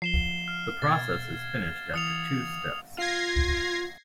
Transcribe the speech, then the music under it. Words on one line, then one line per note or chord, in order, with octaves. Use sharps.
The process is finished after two steps.
F3 C7 E7 G7
F6
B2 G#6 A6
E3 D#6 C#7 F7
F4 G#6 A#6 C7